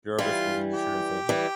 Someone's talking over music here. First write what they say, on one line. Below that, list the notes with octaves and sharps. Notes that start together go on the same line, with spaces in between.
Jarvis was an insurance agent.
E3 G3 F4
G4
E3 G3